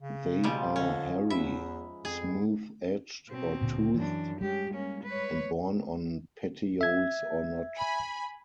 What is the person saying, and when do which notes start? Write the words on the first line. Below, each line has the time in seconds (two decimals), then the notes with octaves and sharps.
They are hairy, smooth-edged or toothed, and borne on petioles or not.
0.01 C#3
0.44 B2 F3 G3 G#3 D#4
0.76 D3 C#4
1.30 E2 E5 B5
2.05 F2 G#4
3.29 B2 C4
3.61 D1 A#2 D3
3.94 F#2 E3 D4
4.41 G3 G#3 C#4 G4
4.71 A#3 C#4
5.04 B4 C#5
6.81 E5 G#6
7.76 G#5 B5